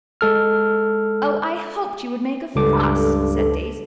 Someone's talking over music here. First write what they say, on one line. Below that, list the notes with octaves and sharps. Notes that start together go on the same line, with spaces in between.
"Oh, I hoped you would make a fuss!" said Daisy.
G#3 A4 F6
C#2 G2 A4 D6